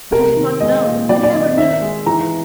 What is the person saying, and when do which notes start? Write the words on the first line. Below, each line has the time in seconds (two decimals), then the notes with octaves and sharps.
But I did not know; I never knew!
0.12 C3 A#4
0.36 D#3
0.60 G#3 D#5
0.84 A#2
1.09 F#3 D5
1.23 D5
1.33 D#3 D#5
1.57 D#3 E5
1.82 G#3
2.06 E3 A#5